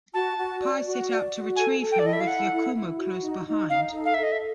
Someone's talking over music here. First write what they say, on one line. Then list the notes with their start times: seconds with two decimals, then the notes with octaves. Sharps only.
Pai set out to retrieve him, with Yakumo close behind.
0.14 F#4 A5
0.38 F#4
0.61 D5
0.85 F#4
1.09 D5
1.32 F#4
1.56 A4 G#5
1.80 A4
1.92 G5
1.99 D5
2.04 E4 D#5
2.13 E5
2.21 F5
2.27 A4 F#5
2.51 E4
2.75 E4
2.99 F#4
3.22 D#4
3.46 D#4
3.70 D#4 F5
3.93 A4
4.05 F5
4.14 A4 E5
4.23 D#5
4.32 E5